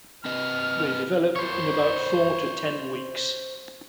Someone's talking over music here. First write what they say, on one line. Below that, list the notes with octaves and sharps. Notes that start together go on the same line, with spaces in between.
They develop in about four to ten weeks.
C4 B4 D#5 F6
C5 C#5